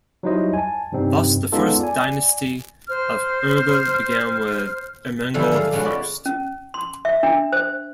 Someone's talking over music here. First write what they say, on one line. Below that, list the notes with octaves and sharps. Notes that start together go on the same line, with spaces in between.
Thus the first dynasty of Urgell began with Ermengol I.
F#3 G3 D#4 E4 C5 D#5
G#5 A5
G2 C3 G3 C4 D#4
G#3 B3 C#4 D#4 F4 A4
D5 G#5
C5 F6
D3 E3 F3 G3 A4
G#4 D5 F5
G#3 B3 C#4 F4 F#4
D5
C#4
C6
E5
D4
C5